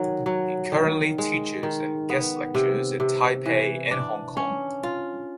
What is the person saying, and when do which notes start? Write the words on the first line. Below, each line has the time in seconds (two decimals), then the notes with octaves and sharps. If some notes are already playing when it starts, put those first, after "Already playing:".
He currently teaches and guest lectures in Taipei and Hong Kong.
Already playing: D#3 F#3
0.26 F#3
0.72 D#3
1.18 G#3
1.63 D#3
2.10 B3
2.55 C3
3.00 C3
3.46 E3
3.91 D4
4.37 C#4
4.83 F4